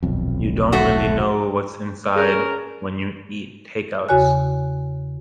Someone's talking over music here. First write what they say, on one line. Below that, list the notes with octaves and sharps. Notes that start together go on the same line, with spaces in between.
You don't really know what's inside when you eat takeouts.
D#1 B1 F2
A3 F#4
C#4 G#4 A#4
E2 C#3 F#4 C#5 G#5 F#6